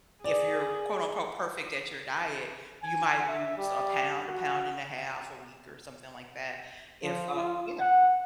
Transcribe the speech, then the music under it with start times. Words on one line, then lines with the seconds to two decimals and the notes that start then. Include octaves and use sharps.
if you're, quote, unquote, 'perfect' at your diet, you might lose a pound, a pound and a half a week or something like that, if, uh" Yeah,
0.24 G#4 D5
2.84 G#5
3.28 E5
3.57 G3
4.26 F#4
7.03 F3
7.36 F4
7.80 F#5